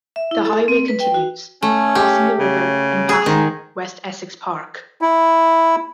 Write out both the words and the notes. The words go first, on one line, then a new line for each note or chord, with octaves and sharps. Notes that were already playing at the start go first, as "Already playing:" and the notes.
The highway continues, crossing the river, and passing West Essex Park.
E5
E4
A4
C4
B4
G5
F#4
A3 C#4
G4
C#3
G#4
G#2 D#3
E4